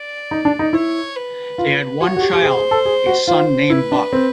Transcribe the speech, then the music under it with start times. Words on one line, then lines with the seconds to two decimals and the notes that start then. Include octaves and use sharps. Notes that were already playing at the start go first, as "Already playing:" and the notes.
They had one child, a son named Buck.
Already playing: D5
0.31 D#4
0.45 D4
0.59 D#4
0.73 E4 C#5
1.16 B4
1.58 F4
2.01 F#4 C#5
2.16 F#4
2.22 G4
2.33 G4
2.43 G#4 C5
2.57 G#4
2.71 A4
2.85 G#4
3.06 F#4
3.28 F4 C5
3.70 E4 B4
3.92 D4
4.13 C4